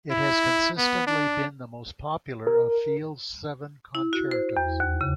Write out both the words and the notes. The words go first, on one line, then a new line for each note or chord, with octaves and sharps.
It has consistently been the most popular of Field's seven concertos.
E4
B3
D4
A#4
E4
F#4
C5
E2
D#2
C#3